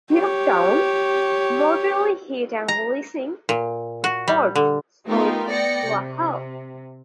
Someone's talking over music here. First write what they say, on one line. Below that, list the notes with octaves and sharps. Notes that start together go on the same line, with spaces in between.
"Yorktown", mortally hit and listing to port, slowed to a halt.
G4 C#5
A#5
A#2
F#4
G3
D3
A3 B3 D#4 F4 G4 A#4
B3 D5 G5 A#6 C#7
C3